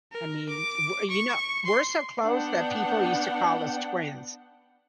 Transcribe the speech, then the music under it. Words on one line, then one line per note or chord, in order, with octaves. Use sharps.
I mean, we're you know, we're so close that people used to call us twins
A#4
D6
C#6
C6
B3 D4 F#5 G5